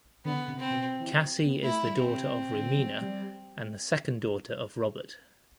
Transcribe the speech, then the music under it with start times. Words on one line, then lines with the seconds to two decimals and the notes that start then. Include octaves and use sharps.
Cassie is the daughter of Romina and the second daughter of Robert.
0.25 D3 B3
0.48 C3
0.59 C4
0.70 B2
1.00 E3
1.11 F#3
1.46 B3
1.62 A3 E4
1.86 G3
1.97 C4
2.08 C3
2.32 C3
2.55 D3
2.78 F#3
3.01 G3